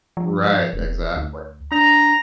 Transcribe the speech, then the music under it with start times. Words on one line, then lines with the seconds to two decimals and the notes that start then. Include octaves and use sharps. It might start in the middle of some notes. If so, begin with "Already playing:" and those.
Right, exactly.
0.17 F3
0.73 E1
1.17 D2
1.72 D4 A#5